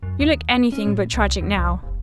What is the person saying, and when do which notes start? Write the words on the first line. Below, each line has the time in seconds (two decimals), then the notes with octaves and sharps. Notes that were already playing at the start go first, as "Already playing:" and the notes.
"You look anything but tragic now."
0.03 F#2
0.20 D#2
0.72 C#4
0.87 A2
1.13 C2
1.41 E2
1.56 C2
1.83 F1